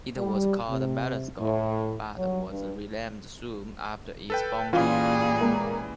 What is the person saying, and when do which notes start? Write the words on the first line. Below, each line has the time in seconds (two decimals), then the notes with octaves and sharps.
It was called Mellenskov, but was renamed soon after its founding.
0.17 G3
0.68 C3
1.39 A2
2.17 F#3
2.50 G2
4.30 A4 B4 G5
4.73 A#2 E3 G3 C#4 F4 G#4
5.41 G#3 A#3